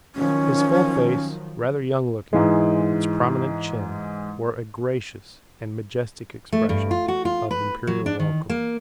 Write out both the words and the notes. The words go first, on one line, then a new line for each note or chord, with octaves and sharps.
His full face, rather young-looking, with its prominent chin, wore a gracious and majestic expression of imperial welcome.
D#3 F3 F#3 C#4
G#2 E3 G#3
A3
G2
F4
F#4
F4
B4
F#3
D4
D#3
A#3